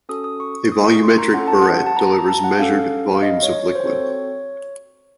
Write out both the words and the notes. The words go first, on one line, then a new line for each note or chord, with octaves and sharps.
A volumetric burette delivers measured volumes of liquid.
C#4 F#4 A4 D#6
D#6
C#6
D#6
C#6
C6
A#5
C#4 F4 A4 F#5
A5
F#5
F#5
A5
A#5
A#5
A5
F#5
C#4 A4 F5
F5
D#5
C#5
C#5
C5
C4 F#4 A4 C#5